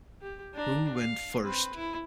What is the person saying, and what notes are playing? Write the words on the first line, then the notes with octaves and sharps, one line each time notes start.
Who went first?
G4
D4 A#5
F5
C4 B4
E4